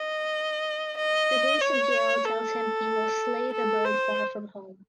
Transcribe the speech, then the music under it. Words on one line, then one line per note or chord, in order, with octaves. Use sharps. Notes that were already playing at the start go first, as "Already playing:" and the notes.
The voice of Geol tells him he will slay the bird far from home.
Already playing: D#5
D#5
C#5
A4
A4
C5